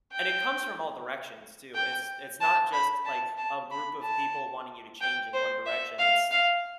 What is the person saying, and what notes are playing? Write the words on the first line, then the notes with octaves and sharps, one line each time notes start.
and it comes from all directions, too, it's it's not just, like, a group of people wanting you to change in one direction, it's
G5
G5
A5
B5
A5
A5
B5
A5
G5
C5
E5
F5
F5